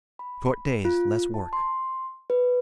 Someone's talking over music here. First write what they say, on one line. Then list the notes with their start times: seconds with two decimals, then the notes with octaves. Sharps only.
Short days, less work.
0.19 B5
0.85 F4
1.34 A5
1.53 C6
2.30 B4